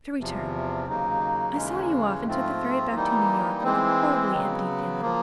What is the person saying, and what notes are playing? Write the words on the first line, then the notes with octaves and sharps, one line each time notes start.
To return: I saw you off, and took the ferry back to New York with a horribly empty feeling.
E2 C3 F3
D#2 C#3 F#3 A#3 D#4
D#2 C#3 E3 G#3 C#4
G#2 F3 A3 C4 F4
E3 G3 A#3 D#4
E3 G#3 C4
C#3 F#3 B3
F3 A#3